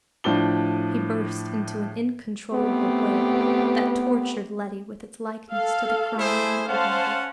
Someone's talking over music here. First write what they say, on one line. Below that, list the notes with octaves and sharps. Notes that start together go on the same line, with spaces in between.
He burst into an incontrollable wail that tortured Letty with its likeness to the crying of her baby.
A2 F3 D4 G7
A3 B3 C4 G4
A4 F5
A3 E4 G#4 C5
C#4 C5 F5 F#5 A5